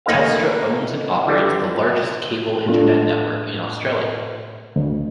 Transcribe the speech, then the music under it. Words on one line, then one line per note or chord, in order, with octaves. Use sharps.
Telstra owns and operates the largest cable internet network in Australia.
A3 A#3 D#4 A#4 B4 F5
D3 E3 G3
A2 D4 F4 A4
D2